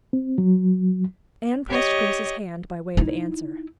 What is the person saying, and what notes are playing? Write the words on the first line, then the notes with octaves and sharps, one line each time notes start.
Anne pressed Grace's hand by way of answer.
C4
F#3
G4 C#5 D#5
D#4 E4